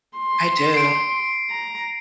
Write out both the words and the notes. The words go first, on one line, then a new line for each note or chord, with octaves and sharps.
I do.
C6
C7 D7
A#5